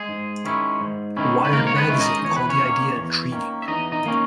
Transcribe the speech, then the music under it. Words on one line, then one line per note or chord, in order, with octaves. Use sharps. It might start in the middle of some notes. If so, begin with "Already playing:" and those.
"Wired" magazine called the idea "intriguing".
Already playing: G#3 G#4
G#2
D#3 G#3 C#4 E4
G#2
D#3 G#3 C#4 E4
B4
G#2 A#3 A#4
C#5
B3 B4
D#3 G#3 C#4 E4
D#4 D#5
E2 C#5
B4
C#4 C#5
D#3 A#3 C#4
E2
D#3 A#3 C#4
E5
E2 D#4 D#5
D#4 D#5
D#3 A#3 C#4